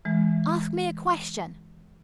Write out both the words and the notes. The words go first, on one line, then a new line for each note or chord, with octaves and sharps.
"Ask me a question."
E3 G#3